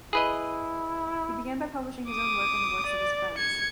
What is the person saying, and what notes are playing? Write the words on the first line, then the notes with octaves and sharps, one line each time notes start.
He began by publishing his own work and the works of his friends.
E4 G#4 B4 D#5
D6 D#6
D5
G#6 C#7